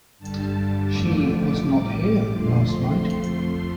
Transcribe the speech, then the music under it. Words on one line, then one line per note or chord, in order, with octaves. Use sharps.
She was not here last night.
G2 D3 G3 A5
A5
F2 D3 F3 A3 D6
A2 G3
F2 D3 F3 A3 C6
F2 F3 A3